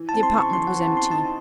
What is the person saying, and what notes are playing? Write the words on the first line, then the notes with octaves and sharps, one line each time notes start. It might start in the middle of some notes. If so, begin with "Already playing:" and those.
The apartment was empty.
Already playing: E3
A5
C4
C6
C#3
C#6
E2 C6
F#5
E3
A5
C4 C6
D#4 A5